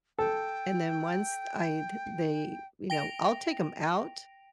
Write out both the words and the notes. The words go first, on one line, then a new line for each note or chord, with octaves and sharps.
and then once I'd they, you know, I'll take 'em out,
A4 G5
G5 A#6 D7 F7